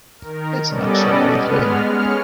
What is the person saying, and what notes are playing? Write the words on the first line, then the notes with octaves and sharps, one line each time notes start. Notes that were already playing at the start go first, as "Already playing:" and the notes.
It's a natural way of living.
D#3 A#4
G3 B3 C#4 A4 D5 D#5
G#3 B3 F6
G#3 C#4 F6 C#7